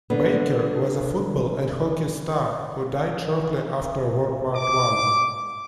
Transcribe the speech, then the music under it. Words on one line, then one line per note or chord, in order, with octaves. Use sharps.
Baker was a football and hockey star who died shortly after World War One.
D3 B3
D6